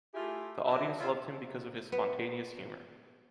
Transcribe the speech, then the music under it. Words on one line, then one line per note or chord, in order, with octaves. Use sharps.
The audience loved him because of his spontaneous humor.
A3 E4 F4 G4 G#4
F#3 C4 D4 E5
F4 C#5 E5
B3